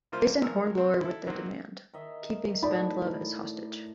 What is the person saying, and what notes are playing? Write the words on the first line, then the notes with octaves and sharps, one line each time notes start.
They send Hornblower with their demand, keeping Spendlove as hostage.
C3 G3 A#3 F4 C5 F6
G#1 A#4 E6
C4
E4 A4
D#3 F#3 A#3 C4
D#3 D#5 E5
A2 D#4 D5 A5 B5